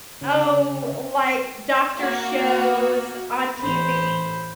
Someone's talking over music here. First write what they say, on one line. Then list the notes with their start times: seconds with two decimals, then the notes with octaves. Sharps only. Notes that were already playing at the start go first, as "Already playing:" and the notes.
oh, like, doctor shows on TV,
0.21 C#3
1.97 A#3 F#4
3.58 A1 C5 B5